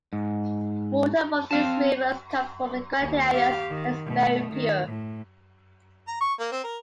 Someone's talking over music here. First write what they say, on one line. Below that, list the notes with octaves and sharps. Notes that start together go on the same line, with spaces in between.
Water from these rivers come from the granitic areas and is very pure.
G#2
C4 F5 A5
D#2
G4 F5
D#3
B2 A3
D#3
A2
A#5
C#6
A#3
C4
A#4